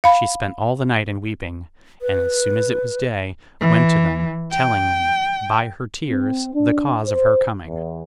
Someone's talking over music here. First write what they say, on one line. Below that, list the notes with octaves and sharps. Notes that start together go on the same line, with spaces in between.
She spent all the night in weeping; and, as soon as it was day, went to them, telling them, by her tears, the cause of her coming.
F5 B5
B4
E3
G5
C4
D4
C5
E2